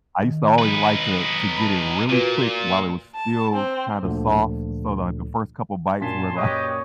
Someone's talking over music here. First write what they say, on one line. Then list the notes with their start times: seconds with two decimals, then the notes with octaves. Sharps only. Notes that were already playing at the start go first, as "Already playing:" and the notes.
I used to always like to to get it really quick while it was still kinda soft, so like the first couple bites were like
0.23 D#3
0.59 D#4 B4
1.57 A5 B5
2.10 A#2 F4 F#4 B4
3.15 A5
3.54 C4
4.03 D2 A#2 D3 F3
6.01 F#2 A#2 G#5 A5 C6 B6
6.35 G4 B4 C#5 D#5